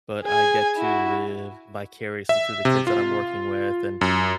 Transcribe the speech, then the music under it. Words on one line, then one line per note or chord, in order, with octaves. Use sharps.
but I get to live vicariously through the kids that I'm working with and
G#4 G#5
E4 F#4
E5
C3
F4
F#2